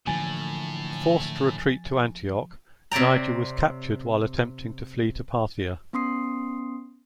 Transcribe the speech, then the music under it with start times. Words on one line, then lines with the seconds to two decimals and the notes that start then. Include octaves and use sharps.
Forced to retreat to Antioch, Niger was captured while attempting to flee to Parthia.
0.07 A2 D3 E3 F3 A#3 G#5 A6
2.91 C3 C#5 D5 G5 A#5
5.93 B3 C#4 C6 D#6 C7